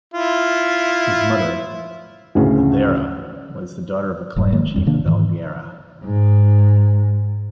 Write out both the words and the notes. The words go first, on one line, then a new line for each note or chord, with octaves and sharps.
His mother, Ildera, was the daughter of a clan chief of Algaria.
E4 F4
D2 A2 C#3
F1 G#2 F#3
D#3 G#3 A#3
F2 G3 C4
C3 D#3 A#3 D4
G#2 D#3 E3
G#2